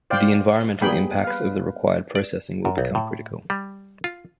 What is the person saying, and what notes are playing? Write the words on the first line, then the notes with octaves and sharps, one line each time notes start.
The environmental impacts of the required processing will become critical.
C5 D5 F5 G5
G3 A#3 B3 G#4 G5 B5
B4 F5
D5
F#2
B1
A2
G3
F4